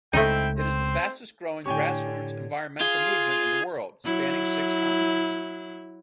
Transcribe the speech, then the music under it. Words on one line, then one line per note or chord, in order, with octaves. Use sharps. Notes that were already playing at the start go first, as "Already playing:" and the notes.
It is the fastest growing grassroots environmental movement in the world, spanning six continents.
C#2 A3 C4 D#4 E4 G5
C4 C5
A2 D3 G4 C#5 G5 G#5 C#6
F4 G#4
F#3 E4